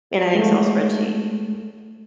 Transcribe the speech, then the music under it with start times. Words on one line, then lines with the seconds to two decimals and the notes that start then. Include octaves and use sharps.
in an Excel spreadsheet?"
0.35 G#3 A3